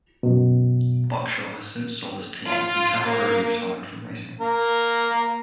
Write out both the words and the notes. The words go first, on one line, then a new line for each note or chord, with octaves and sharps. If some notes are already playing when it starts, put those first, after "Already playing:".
Buckshot has since sold his team and temporarily retired from racing.
F#2 B2
F4
A#3
A#3 A#4